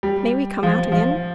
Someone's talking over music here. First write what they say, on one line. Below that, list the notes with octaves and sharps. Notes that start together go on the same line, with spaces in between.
May we come out again?
G3
F3
F3